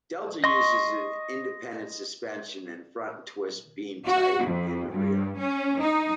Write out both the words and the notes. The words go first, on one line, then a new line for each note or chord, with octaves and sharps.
Delta uses an independent suspension in front and Twist beam type in the rear.
D#5 C6 C#6
F#4
F2
G2
C#4
D#4